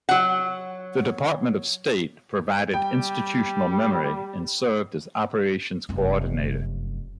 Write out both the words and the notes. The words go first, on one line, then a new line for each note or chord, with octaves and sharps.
The Department of State provided institutional memory and served as operations coordinator.
F#3 F#5
G3 G5
F1 F#2